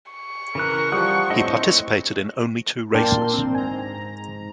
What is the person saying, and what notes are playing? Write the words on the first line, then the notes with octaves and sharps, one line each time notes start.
He participated in only two races.
C#6
C#3 E3 A#4 F#6
F3 G3 F#5 D#6 F#6
A2 C4 D4 E4 D#5
A#2 A#3 D4 G5 A5 C6
C4
G#2 G#5 A#5